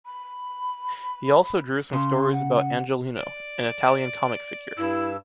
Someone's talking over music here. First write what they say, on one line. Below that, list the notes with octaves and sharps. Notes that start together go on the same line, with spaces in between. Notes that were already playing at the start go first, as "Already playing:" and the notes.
He also drew some stories about Angelino, an Italian comic figure.
B5
C#3 C6
F#5
D5
G2 E4 E6